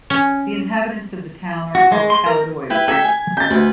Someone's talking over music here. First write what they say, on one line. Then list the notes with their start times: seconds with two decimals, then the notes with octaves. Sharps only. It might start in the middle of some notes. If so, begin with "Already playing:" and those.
The inhabitants of the town are called "Caladois".
0.10 C#4
1.75 F#4
1.92 G#3
2.10 C6
2.26 A#4
2.70 E4 B4 G5
2.88 A4 G5 G#6 B6
3.04 G#5
3.37 G6 A6
3.50 D2 B4